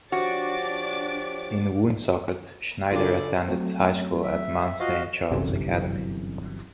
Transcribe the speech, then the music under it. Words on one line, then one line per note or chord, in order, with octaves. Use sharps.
In Woonsocket, Schneider attended high school at Mount Saint Charles Academy.
F3 D4 F#4 G4 C#5 D6 A6
C#3 D4 F4 A4 D5
F#3 A3 C4
E5
F4 F#4 C5 D#5 F5
G1 C2 F#2 C3 E3